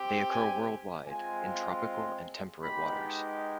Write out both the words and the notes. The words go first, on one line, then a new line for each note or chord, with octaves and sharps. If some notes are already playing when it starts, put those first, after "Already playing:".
They occur worldwide in tropical and temperate waters.
Already playing: C4 G4
G#5
G#3 C4 F4 G#5
G#3 B3 D#4 G4 B5